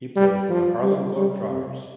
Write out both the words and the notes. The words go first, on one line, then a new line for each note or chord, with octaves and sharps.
He played for the Harlem Globetrotters.
G3
F3
G3
G3
C3